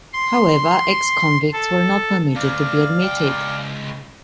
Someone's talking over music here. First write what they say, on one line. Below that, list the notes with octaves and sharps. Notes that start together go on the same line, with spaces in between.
However, ex-convicts were not permitted to be admitted.
C6
A4
D2 D5 F5
C#2 G5